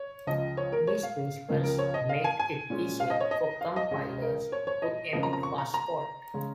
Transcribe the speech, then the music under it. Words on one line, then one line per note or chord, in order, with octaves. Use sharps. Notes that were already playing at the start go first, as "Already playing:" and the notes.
These principles made it easier for compilers to emit fast code.
Already playing: C#5
C#2 C#3 F3 D#5
C#5
A#4
C#5
F5
C#2 C#3 F3 A#3 C#4
A#4
C#5
D#5
F5
G#5
G#5
A#2 G#3 C#4
F5
D#5
C#5
D#5
F5
D#5
C#2 C#3 G#3 C#4
A#4
C#5
C#5
D#5
F2 C#3 A#3 C#4 D#5
A#5
A#5
C#6
A#5
A#5
C#3 G#3 C#4